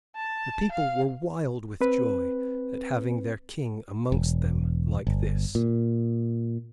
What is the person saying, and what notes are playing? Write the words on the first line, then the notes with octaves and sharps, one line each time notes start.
The people were wild with joy at having their King amongst them like this.
A5
F5
C4 B4
E1
G1
A#2